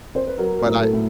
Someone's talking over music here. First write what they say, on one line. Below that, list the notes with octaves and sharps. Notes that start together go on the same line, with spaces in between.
But I
C5
B4
F#3 A#4
A#4
A2
A4
A2